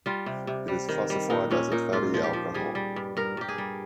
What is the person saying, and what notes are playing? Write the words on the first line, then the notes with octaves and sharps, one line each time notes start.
It is classified as a fatty alcohol.
G3 F4
C3
C3
G3
D#3
G3
A#2 D#4
A#2 C#4
A#2 D#4
G#2 F4
F3
G4
F3
G3 G#4
G3
G2
G2 A#4
G2 G4
G#4
G3